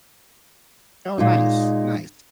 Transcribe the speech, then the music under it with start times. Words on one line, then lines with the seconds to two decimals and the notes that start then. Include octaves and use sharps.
Oh, nice, nice.
1.18 A#2 G#3 D#4